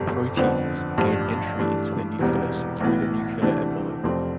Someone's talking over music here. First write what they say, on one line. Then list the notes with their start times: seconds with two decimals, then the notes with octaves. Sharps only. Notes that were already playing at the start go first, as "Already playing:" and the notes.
Proteins gain entry into the nucleus through the nuclear envelope.
Already playing: G1 F2 C3 G3
0.37 F2 D3 F3 B3
0.97 A1 G2 F3
1.59 G2 E3 A3 D4
2.19 E1 E2 C3 E3 G3
2.81 B1 A2 E3 B3
3.42 D2 C3 E3 A3 D4
4.03 F1 F2 C3 F3 C4